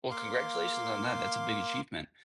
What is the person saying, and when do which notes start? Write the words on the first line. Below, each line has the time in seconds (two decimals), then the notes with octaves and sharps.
Well, congratulations on that, that's a big achievement.
0.11 A#3 F5 C6 D6